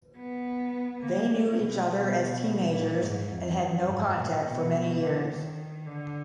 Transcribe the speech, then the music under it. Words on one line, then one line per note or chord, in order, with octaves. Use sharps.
They knew each other as teenagers, and had no contact for many years.
B3
A#3
G#3
B2
B2
A#2
G#2
F2
F#2
G#2
A#2
B2
D3
D#3
D3